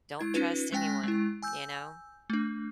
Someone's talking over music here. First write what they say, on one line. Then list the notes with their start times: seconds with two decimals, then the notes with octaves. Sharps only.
Don't trust anyone, you know.
0.19 G#3 E4 G#6
0.34 C#4 D#4 F4 B4
0.72 G#3 C#4 G5 G#5 A#6
1.04 G#3 E4
1.43 G#5 E6 G6
2.30 A3 D4